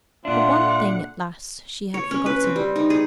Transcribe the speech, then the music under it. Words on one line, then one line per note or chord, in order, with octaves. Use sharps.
But one thing--at last--she had forgotten.
A#2 D3 D4 F4 E5 F#5
C#5
C#4
B4
C4
G3
D#4
G#4